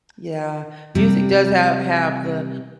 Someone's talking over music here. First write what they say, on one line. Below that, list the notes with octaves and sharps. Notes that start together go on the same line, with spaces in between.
Yeah. Music does ha have the
C3 G3